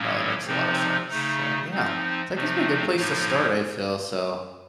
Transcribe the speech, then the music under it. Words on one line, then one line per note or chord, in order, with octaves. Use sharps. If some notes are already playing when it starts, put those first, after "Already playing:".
No, that makes a lotta sense, so, yeah, that gives me a good place to start, I feel so,
Already playing: A2 F#3 A#3 C#4
C3 F3 C4 D#4
C#3 A3 D#4
F3 C4 D#4
C3 F3 A3 C4 D#4
A2 F3 A#3 D#4